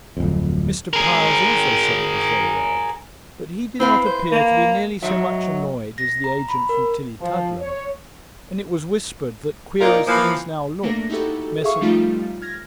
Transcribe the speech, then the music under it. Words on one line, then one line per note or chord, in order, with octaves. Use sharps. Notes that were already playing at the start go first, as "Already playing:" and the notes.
Mr. Piles also said it was very odd; but he did not appear to be nearly so much annoyed as the agent from Tillietudlem; and it was whispered that, queer as things now looked, Messrs.
D1 F2
G#4 A#4
C4 E4 B4 F5
C5
A#3
G#2 F#3 D#5 E5
A#6
A#5
B5
A#4
F3
C#5
A#2 A#3 D#4 F4 A#4 D5
E3 F3 A#3
A3 A#3 D4 A#6
D#4 E4 F#4 G4 A4
G#4 E5 F5 C#6
F3 G3 A3 D#4 F4
F6 G#6 A#6